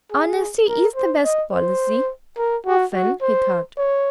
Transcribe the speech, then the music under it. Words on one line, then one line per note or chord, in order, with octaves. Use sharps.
Honesty IS the best policy--often, he thought.
G#4
A#4
C5
D#5
C5
A#4
F#4
F#4
C5
C#5